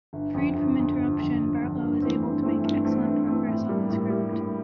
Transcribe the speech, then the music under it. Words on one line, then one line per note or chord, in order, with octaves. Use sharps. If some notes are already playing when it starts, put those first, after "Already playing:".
Freed from interruption, Bartlow is able to make excellent progress on the script.
G1
F2 D3
G1
F2 D3
G1
F2 D3
G1
F2 D3
G2
E3 A3 C4
G2
E3 A3 C4
G2
E3 A3 C4
G2
E3 A3 C4
A2
G3 A#3
A2
G3 A#3
A2